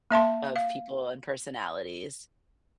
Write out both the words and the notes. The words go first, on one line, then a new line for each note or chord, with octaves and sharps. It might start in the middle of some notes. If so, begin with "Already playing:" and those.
of people and personalities.
A#3 E5 A5 C6
F5